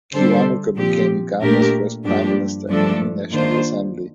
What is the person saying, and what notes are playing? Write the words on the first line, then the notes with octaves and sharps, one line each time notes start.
Kiwanuka became Uganda's first prime minister in the new National Assembly.
D3 G3 D4 A4 C5
A#2 F3 C4 G4
A#2 A3 D4 G4 A#4
G2 F3 A#3 D4 G4
G2 F3 A3 D4 A4
D#3 A#3 D4 F4 C5